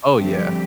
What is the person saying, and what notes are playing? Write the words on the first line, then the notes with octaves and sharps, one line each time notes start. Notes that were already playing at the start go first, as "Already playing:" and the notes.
Oh, yeah.
D3 F3 G3 A3 C4 G4